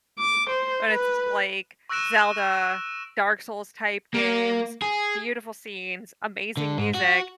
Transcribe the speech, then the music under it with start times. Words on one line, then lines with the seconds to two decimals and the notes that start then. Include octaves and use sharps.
Or it's like Zelda, Dark Souls-type games- beautiful scenes, amazing music,
0.19 D6
0.50 C5
0.92 B4
1.89 C#6 E6 F#6 A#6 D7 E7
4.14 A#3
4.82 G#4
6.57 D3
6.78 G#2
6.95 F#4